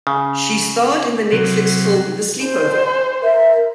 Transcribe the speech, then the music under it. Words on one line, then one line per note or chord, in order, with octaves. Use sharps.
She starred in the Netflix film "The Sleepover".
C#3
C3 F#3
C5
A#4 E5